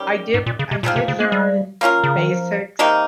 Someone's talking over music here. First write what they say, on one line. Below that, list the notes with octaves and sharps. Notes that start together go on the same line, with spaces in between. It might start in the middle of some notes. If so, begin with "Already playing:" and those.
I did I did learn basics,
Already playing: D#3 G3 C#4 G4
G#2
A#2
C#3
C3
A#2 F3 C4 D#4 G#4
C3
C#3
A#3
G3
A#3 C#4 F4 A#4
C#3
D#3
F3
C3 D#3 A#3 D#4